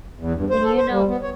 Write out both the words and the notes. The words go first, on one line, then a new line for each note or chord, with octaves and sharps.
And, you know
E2
G2
C5
A4
C5
G3
B3
C#5